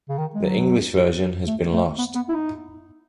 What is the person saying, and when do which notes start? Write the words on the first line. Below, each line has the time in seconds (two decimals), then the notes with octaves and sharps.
The English version has been lost.
0.09 C#3
0.18 D#3
0.35 G#3
0.44 F#3
1.47 A3
1.72 A3
1.98 B3
2.15 B3
2.29 E4
2.32 D#4